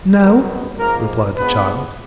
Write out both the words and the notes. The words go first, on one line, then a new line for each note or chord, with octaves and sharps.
"No," replied the child.
G#1 F#2 D#3 F#3 B3 A#4
G#2 F3 A#3 A#4
A#1 A#2 F3 G#3 B3 B4